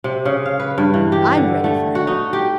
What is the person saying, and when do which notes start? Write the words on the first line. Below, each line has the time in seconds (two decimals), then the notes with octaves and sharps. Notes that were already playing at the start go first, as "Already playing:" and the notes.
'I'm ready for her.
0.04 C3
0.25 C#3
0.46 F5
0.60 B4
0.78 G2
0.94 E3
1.12 G4
1.37 D3
1.64 A3
1.95 F#4
2.07 D#4
2.33 G4